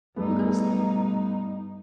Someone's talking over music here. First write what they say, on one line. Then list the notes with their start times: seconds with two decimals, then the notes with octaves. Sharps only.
Who goes there?
0.16 G2 G3 A3 B3 D#4